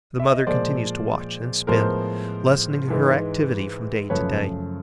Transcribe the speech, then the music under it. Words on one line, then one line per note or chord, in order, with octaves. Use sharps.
The mother continues to watch and spin, lessening her activity from day to day.
E5
D#5
A#2 F3 G#3 C5 D5
A2 F3 G#3 B3 A#4 C5
G#2 E3 G#3
F#2 C#3 F3 A3 B4 C#5